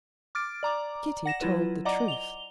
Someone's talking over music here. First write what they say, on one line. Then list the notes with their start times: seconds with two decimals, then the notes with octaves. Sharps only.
Kitty told the truth.
0.35 D6 F6 A6 D7
0.63 D5 A#5 D6
1.26 F#5 A#6 E7
1.41 F#3 E4 F4 B4
1.85 D5 D#5 F#5 A#5 D6
2.08 F7 G7